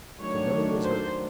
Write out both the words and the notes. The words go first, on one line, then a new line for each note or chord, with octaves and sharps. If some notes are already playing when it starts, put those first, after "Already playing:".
So Billy was herd.
D#3 F#3 A3 D4 C#5
C5